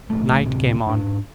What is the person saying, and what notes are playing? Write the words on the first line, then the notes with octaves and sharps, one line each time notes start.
Night came on.
D1 A#1 A3
D1 C3
G#2 D4